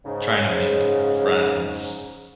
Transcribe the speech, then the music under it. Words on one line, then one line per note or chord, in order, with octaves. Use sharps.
trying to make friends
G#2 C#3